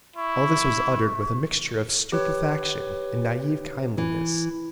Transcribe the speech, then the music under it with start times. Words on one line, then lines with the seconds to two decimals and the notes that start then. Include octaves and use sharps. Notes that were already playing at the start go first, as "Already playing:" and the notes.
All this was uttered with a mixture of stupefaction and naive kindliness.
0.16 E4 C#6
2.12 G4 B4 C#5
3.98 E3